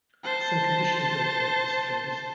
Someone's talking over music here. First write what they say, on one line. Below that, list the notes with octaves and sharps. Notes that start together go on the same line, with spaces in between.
Some conditions regulate this clause.
C5 A5